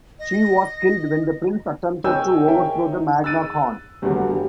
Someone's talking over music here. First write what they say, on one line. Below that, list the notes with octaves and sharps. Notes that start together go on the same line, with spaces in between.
She was killed when the prince attempted to overthrow the Magna Khan.
D#5
C#5 D#5 G5 G#5 E6 G6
A#4 C#5 E5 G5 G#5
D#4
E6 F#6 A6 D#7
E2 G2 D3 F#3 A3 B3
G4